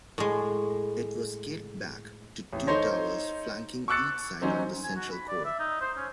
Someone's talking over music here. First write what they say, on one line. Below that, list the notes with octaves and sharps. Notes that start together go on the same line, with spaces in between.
It was scaled back to two towers flanking each side of the central core.
A2 G#3
A1
D#4 A4 C5 C#5 C6 A#6
C#6 D6 E6 F#6 A6 C#7
F#3 C#4 D#4 C5
G#5
F#4
B5
D5
E5
D#4
C5
C#4